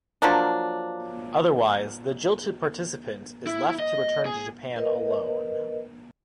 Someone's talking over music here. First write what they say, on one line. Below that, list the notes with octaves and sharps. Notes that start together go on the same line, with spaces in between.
Otherwise, the jilted participant is left to return to Japan alone.
F3 F#3 A#3 D4
E4
D#5
G#4
A#4 B4 D#5